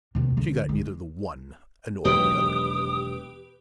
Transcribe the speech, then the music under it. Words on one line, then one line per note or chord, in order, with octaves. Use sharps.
She got neither the one nor the other.
D#2 C3
C#2 D3
G#3
E1 D#2 F#3 G4 B4 D#6 D7